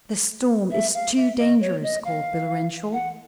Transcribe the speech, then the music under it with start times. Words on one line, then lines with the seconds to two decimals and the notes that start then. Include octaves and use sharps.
"The storm is too dangerous," called Bill Renshaw.
0.71 E5
0.94 F5
1.17 E5
1.39 D#5
1.61 C#5
1.83 D#5
2.05 F5
2.93 F#5